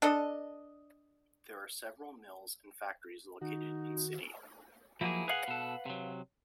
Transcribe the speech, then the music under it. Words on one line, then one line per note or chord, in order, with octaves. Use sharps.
There are several mills and factories located in city.
D4 A4 D#5
D#3 D#4 F#4
F3 F#3 A#3 E4 G#4
G#4 B4 F5 F#5
B2 A4
C3 F#3